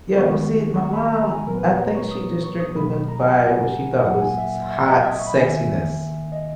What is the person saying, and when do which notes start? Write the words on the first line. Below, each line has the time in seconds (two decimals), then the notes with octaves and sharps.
Yeah, well, see, my mom, I think she just strictly went by what she thought was hot sexiness.
0.17 D#3 G#3 B3 C#6
0.82 C#6
0.93 B5
1.04 A#5
1.14 A#5
1.30 G#5
1.47 A#2 F#3 B3 A#4
1.58 B4
1.69 C#5
1.79 A#5
1.95 C#6
2.11 D#6
2.44 C#6
2.60 D#6
2.76 B2 F#3 A#3 B5
3.08 A#5
3.19 G#5
3.30 G#5
3.41 F#5
4.06 A#2 F#3 A#3 F#5
4.21 G#5
4.38 E5
4.70 E5
4.87 D#5
5.03 E5
5.10 D#6
5.19 C#6
5.27 B5
5.35 D#3 A#3 G#5
5.51 E5
6.32 D#5